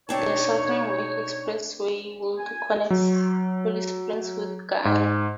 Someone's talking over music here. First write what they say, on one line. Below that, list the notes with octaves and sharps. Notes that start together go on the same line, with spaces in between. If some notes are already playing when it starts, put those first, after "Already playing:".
The Southern Wake Expressway would connect Holly Springs with Garner.
B2 C4 D4 D#4 C#5 A5
G#5
F#3
G#2